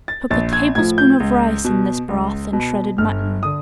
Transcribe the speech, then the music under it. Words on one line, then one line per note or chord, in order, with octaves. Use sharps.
Cook a tablespoonful of rice in this broth and shredded mutton.
A6
A#1 A6
G#6
A2 F3 G#6
G6
C#2
B2
C#2
B2
G1 F6
D3 D#6